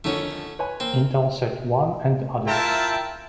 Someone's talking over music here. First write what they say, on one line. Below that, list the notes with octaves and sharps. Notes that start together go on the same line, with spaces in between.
Intelsat One and others.
F2 D3 D#3 A3 C#4
B4 C#5 G#5
A#3 C4
E4 F4 A#4 E5 G5 A5